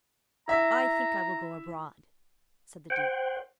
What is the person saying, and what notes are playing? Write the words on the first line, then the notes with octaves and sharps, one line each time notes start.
"I think I will go abroad," said the Duke.
E4 E5 A#5
C5 F#5 G5